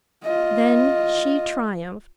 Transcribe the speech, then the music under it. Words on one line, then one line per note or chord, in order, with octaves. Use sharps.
Then she triumphed.
F4 D#5